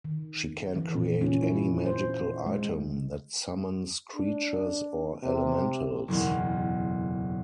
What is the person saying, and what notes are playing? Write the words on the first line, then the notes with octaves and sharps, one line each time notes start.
She can create any magical item that summons creatures, or elementals.
D#3
E3
A#2
C#4
E4
C5
G#3
D4
C3
F#1 B1 E2